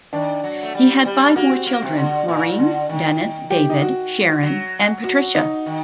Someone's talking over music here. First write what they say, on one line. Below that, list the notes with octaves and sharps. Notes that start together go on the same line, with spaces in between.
He had five more children, Maureen, Dennis, David, Sharon and Patricia.
D#3 D4
F#3
A3
G3
G3
A#3 F#4
C4
A#3
C3
D3
A#2
D3
D#3
G4
D#4
F#4
F#3
F#4
D#4
D#3